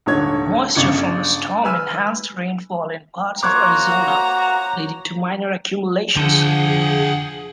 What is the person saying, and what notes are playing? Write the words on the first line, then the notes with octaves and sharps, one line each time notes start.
Moisture from the storm enhanced rainfall in parts of Arizona, leading to minor accumulations.
D#1 G#2 D3 C#5 G#6
G1 C#3 C#7
B4 G#5 E6 F6
A#3 F#4 C5 C#5 A#5 C#6 D6 F#6
D3 F3 G#4 F#5 G5